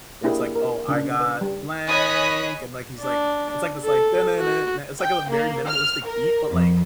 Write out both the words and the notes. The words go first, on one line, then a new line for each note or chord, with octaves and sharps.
where it's like, "Oh, I got blank" and like he's like, it's like this like it's like a very minimalistic beat but like
A#3 D4 E4 G4 G#4 A#4
A#4
C#3 D4
B4
G3
C#5 D#5 G#5 B5 D#6 F#6
D4
A4
F#4
G5
A#3
F6
A#4
F2